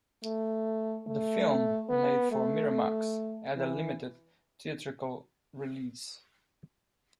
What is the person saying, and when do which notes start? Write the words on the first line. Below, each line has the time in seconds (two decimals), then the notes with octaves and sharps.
The film, made for Miramax, had a limited theatrical release.
0.24 A3
1.07 A3
1.90 B3
2.32 A3
3.56 E3